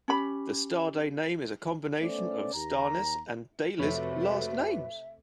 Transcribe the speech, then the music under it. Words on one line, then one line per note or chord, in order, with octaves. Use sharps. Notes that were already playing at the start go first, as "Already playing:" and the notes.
The Starday name is a combination of Starnes' and Daily's last names.
C#4 G4 B5
A3 B3 C#4 C5 D5
D#2 A#5
F2 C3 A3 F#4 B4 C#5 E5 B5